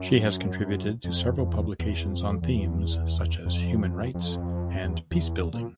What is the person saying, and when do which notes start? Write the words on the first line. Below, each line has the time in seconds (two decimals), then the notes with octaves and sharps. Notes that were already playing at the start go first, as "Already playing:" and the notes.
She has contributed to several publications on themes such as human rights and peacebuilding.
Already playing: F#2
1.04 F2
1.38 F2
1.52 E2
1.79 E2
2.07 F2
2.42 E2
3.46 F2
4.14 F2
4.84 E2
5.11 E2
5.53 A#2